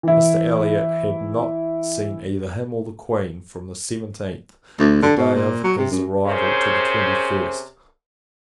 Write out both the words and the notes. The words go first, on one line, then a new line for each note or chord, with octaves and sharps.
Mr. Elliot had not seen either him or the Queen, from the seventeenth, the day of his arrival, to the twenty-first.
E3 E4
D2
D3
B2
A#2
F#3
C3
F#2
C3 C#4 G#4 A#4 C5 C#5